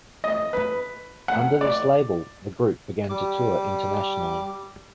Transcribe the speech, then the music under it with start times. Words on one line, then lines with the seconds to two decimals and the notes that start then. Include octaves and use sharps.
Under this label the group began to tour internationally.
0.24 D#5
0.53 B4
1.28 F#5
1.61 D5
3.10 G3 D6